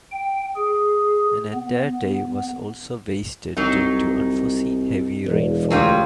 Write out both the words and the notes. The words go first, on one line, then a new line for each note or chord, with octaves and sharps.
An entire day was also wasted due to unforeseen heavy rainfall.
G5
G#4
B3
C2 F#3 D#4
E1
D2 F#3 G3 F4